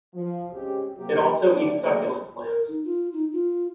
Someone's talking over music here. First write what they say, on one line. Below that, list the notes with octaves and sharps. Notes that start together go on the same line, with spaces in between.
It also eats succulent plants.
F3
G#3 C4 C#4 G4
C3 F#3 A#3 G4
A2 F#3 D4 G4 B4 D5
F#3 A3 A#3 G#4 D5 D#5
A#4
D#4
F4
D#4
F4